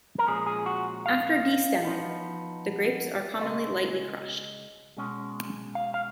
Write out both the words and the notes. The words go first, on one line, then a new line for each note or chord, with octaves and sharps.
After destemming, the grapes are commonly lightly crushed.
A#4
A#2 F3 G#3 C#4 G#4
G#4
F#4
F5
F3 B3 D#4
C#3 G#3 C#4 D#5
B2 G#3 C#4
F5
F5